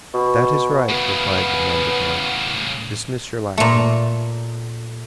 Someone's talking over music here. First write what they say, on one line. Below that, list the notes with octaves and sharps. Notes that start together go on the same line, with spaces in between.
"That is right," replied the mendicant; "dismiss your lackey."
B2
A2 C#3 B3
A#2 A3